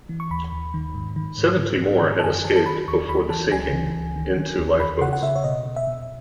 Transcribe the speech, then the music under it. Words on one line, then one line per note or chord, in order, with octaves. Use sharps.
Seventy more had escaped before the sinking in two lifeboats.
E3
C#6
D#2 B5
D#2
D#3
G#2
D#3
G#2
G#2
G#2
D#3
A5
F#2 G#5
D#3 A5
A5
D#3 B5
D#2 C#6
D#2 B5
E3 A5
C#2 G#5
E3
C#2
D#3
D#3
D#2
E2 B5
C#3 F#5
F#5
C#3 E5
C#5
B2 D#5
B2
E5
B2